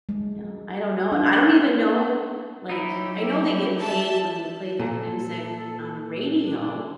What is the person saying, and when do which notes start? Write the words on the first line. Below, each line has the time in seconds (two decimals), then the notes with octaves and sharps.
you know, I don't know and I don't even know like I know they get paid when you play their music on the radio
0.09 G#3
1.12 D4
2.69 F#3 D#4 E4 G4
3.77 E5 A5
4.79 A#2 A4
6.45 D4